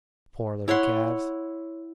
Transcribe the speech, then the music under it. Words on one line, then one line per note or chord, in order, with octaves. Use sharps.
Poor little calves!
E4 C#5 F#5 C6